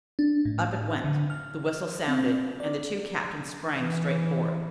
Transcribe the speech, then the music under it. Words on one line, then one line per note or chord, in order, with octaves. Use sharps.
Up it went, the whistle sounded and the two captains sprang straight for it.
D4
A2
D3
F6
C4
D5
E3